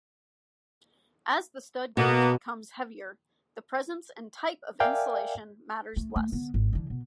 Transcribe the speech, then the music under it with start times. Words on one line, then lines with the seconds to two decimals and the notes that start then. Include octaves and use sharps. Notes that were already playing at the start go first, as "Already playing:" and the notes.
As the stud gauge becomes heavier, the presence and type of insulation matters less.
1.97 B2 A#3 B3
4.80 A#4 D5 E5 F5 G5 G#5
5.96 A3
6.16 A3
6.32 D3 B3
6.54 G#1
6.73 D3 E3
6.90 B2